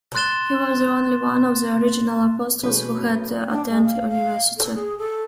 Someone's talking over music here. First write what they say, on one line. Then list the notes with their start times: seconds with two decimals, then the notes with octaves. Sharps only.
He was the only one of the original apostles who had attended university.
0.15 C6 F#6 A6 E7 G7
2.63 B2 E3 G#3 C#4 A4 B4 C#5 G6
2.98 F#2
3.50 D4
3.70 G#3
3.84 F5
4.09 F5
4.57 A4
4.74 G#4
4.98 A4